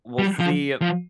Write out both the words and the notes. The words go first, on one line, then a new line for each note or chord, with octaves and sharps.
We'll see a
G3
F3
F3